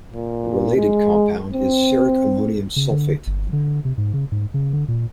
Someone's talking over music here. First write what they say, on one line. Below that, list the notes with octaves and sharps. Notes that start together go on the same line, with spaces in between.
A related compound is ceric ammonium sulfate.
A#2
G#3
C4
C#3
D3
G1
D3
C3
G#2
C#3
G#2
C#3
D3
A#2